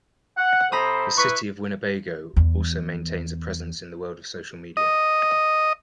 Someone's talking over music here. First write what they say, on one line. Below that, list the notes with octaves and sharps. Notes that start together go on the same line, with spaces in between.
The City of Winnebago also maintains a presence in the world of social media.
F#5
C3 A4 C5 A#5 B5 D#6
E4 B4 C#6 B6
E2
D#5